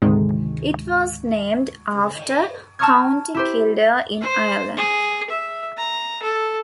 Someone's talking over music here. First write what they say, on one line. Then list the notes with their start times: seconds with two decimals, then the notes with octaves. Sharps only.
It was named after County Kildare in Ireland.
0.02 D2 G#2 C3 D#3 G#3
2.79 A5 A#5 C#6 D#6 F6 G#6
3.34 E4 G4 C5
4.21 C5
4.77 G#4
5.30 E5
5.78 A#5
6.23 A4